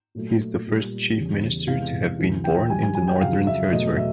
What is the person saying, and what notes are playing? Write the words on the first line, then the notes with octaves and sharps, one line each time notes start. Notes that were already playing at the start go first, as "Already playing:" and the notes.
He is the first Chief Minister to have been born in the Northern Territory.
A#2 F#3 A3
A#2 G3
E2 C#3 E3 G3
E2 C3 E3 G#3 F5
D2 C3 E3
G5
F#2 D#3 G3 G#5
G#5
G#5
G5
F#5
F2 C#3 F#3 F5
E5
E2 B2 F#3 A3 D#5
E5